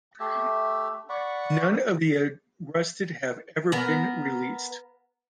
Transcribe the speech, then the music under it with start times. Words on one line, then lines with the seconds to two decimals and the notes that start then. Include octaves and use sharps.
None of the arrested have ever been released.
0.20 A3 G4 E5
1.09 D5 F#5 B5 C#6
3.72 B3 A#4